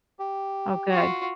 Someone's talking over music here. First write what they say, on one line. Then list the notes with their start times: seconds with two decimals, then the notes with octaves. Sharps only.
Oh, good.
0.19 G4
0.92 F4 F#4